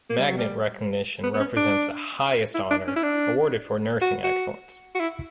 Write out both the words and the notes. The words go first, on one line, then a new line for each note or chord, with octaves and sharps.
Magnet recognition represents the highest honor awarded for nursing excellence.
A#3
G3
F#3
G3
B3
B3
C#4
D4
E4
D4
C#4
E4
D4
F#4
F#4
F#4
E4